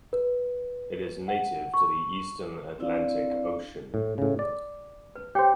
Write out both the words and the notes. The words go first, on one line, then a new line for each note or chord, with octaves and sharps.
It is native to the eastern Atlantic Ocean.
B4
F#5
C#6
C4 D4 E4 D5 F5
A2
A2 C#3
D5
B4
G4 C5 C#5 G5